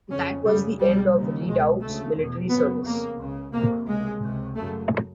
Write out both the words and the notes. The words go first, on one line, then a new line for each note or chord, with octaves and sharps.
That was the end of the Redoubt's military service.
F2 C#3 C#4
F#2 C#3 G3
C2 B2 G3
D#2 C#3
C#2 B2 G#3
D2 C#3 A3
E2 B2
F#2 C#3 B3
F2 C#3 A#3
C#2 C#3
F2 C3 A#3
C#2 C3 G#3
C#2 C3
F#2 C#3 A3